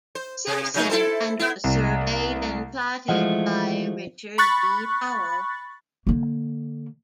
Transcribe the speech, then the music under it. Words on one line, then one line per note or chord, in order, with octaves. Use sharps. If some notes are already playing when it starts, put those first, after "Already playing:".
Simpson and was surveyed and platted by Richard V. Powell.
C5
C3
C#3 F#3 D#4
E4 A4 C5
B3 E4
C2
E3 F3 G#3 A3 D#5 F#5
B5 C#6 F#6 A6
D3 A#3